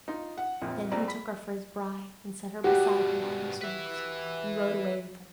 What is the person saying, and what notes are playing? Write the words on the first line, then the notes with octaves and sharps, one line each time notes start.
Then he took her for his bride, and set her beside him on his horse and rode away with her.
D#4 F4
F#5
A#1 F2 A#2
C#2 C4 D5 A#5
B5 B6
G2 B2 F#4 G4
B4 E5